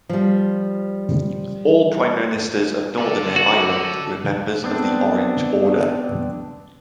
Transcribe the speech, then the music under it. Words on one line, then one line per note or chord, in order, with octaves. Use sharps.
All Prime Ministers of Northern Ireland were members of the Orange Order.
F3 G3
A4 D5
F#4
B3 C4 D4